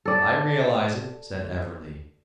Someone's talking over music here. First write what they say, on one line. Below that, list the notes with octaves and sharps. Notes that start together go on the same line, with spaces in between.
"I realize it," said Everley.
A4 D5